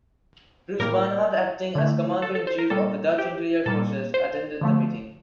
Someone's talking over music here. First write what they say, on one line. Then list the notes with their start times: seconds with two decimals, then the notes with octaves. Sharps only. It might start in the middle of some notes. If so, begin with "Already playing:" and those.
Prince Bernhard, acting as commander-in-chief of the Dutch Interior Forces, attended the meeting.
0.79 A2 G3 A#3 A#4
1.75 D3 A3
2.22 A4
2.35 A4
2.47 C5
2.59 A#4
2.70 A#2 G3 A#3 A4
3.18 G4
3.66 A#2 G3 A#3 A4
4.14 C5
4.61 D3 F3 A3